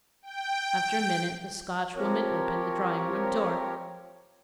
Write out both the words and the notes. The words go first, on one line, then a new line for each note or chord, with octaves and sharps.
After a minute the Scotchwoman opened the drawing-room door.
G5
F3 C4 G4 A#4 C#5